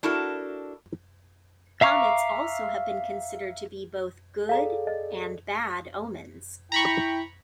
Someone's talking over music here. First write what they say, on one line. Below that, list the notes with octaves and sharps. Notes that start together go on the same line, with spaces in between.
Comets also have been considered to be both good and bad omens.
D4 E4 F#4 A4 A#4 E5
E5 F5 A#5 C#6 D6
G#4 A4 D5 F5 A#5
D#5
E4 G5 A#5 B5 C#6